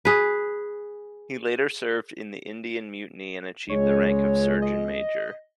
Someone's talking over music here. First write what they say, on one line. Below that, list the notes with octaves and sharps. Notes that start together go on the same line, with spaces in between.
He later served in the Indian Mutiny and achieved the rank of surgeon major.
G#4 B4
C#2 G#3 C#5
D#5